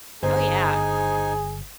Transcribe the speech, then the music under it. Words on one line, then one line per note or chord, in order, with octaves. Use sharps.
Oh, yeah.
G1 D#4 G#4 C5 G#5